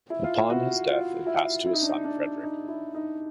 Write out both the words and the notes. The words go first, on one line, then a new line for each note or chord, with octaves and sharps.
Upon his death, it passed to his son Frederick.
E4
F4
E4
F#4
F4
E4
E4
D#4
D4
D#4
D4
D#4
E4
D#4